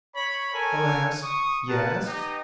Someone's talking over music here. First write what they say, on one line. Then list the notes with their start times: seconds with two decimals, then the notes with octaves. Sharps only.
"Alas, yes."
0.15 C#5 B5
0.54 A4 A#4 C#5 G#5
1.23 C#6 D#6
1.69 A#4 B4 F#5 A5
2.05 B3 D#4 G4 D#5